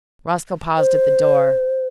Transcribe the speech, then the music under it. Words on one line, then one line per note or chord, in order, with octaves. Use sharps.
Roscoe paused at the door.
C5